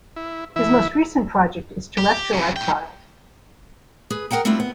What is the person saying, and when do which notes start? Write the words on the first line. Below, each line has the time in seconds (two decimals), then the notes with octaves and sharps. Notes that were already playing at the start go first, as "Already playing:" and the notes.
His most recent project is Terrestrial Exiled.
0.16 E4
0.56 E3 E4 E5
1.98 G4
2.33 F2 C#3
2.56 A2 G5
4.10 G#4 B4
4.31 G#4 A#4 F#5 G5 A#5
4.45 G3 A3 C4 D4 E4 F4
4.60 B3